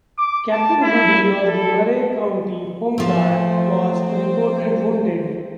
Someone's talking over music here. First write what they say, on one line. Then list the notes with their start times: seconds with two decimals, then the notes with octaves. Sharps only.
Captain Woody of the Murray County Home Guard was reported wounded.
0.18 D6
0.51 A5
0.82 E4
1.47 A4
2.98 F3 A3 C4